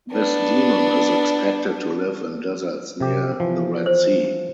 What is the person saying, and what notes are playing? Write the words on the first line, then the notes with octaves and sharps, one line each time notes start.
This demon is expected to live in deserts near the Red Sea.
B3 D4
C3 G4
E3 F3
C5